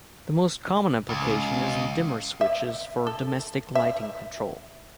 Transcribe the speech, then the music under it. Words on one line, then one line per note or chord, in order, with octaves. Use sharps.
The most common application is in dimmer switches for domestic lighting control.
C#2
E5
A4
E5